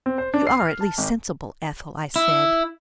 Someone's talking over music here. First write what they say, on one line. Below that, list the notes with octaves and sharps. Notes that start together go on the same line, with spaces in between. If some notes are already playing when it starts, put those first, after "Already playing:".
"You are at least sensible, Ethel," I said.
C4
C5
D4
C7
F6
A5
G#1
E4